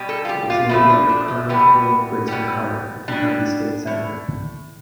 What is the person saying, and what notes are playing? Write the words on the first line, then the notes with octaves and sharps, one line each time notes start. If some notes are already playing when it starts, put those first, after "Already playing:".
It was named after Colonel William Grayson Carter, a Kentucky state Senator.
Already playing: B2 G3
A4
F4
G4
F4
A2 F3 A3 E4
D4
D4
A3
A2 E3 G3 B3
B2 G3
B2 G3 D4
A2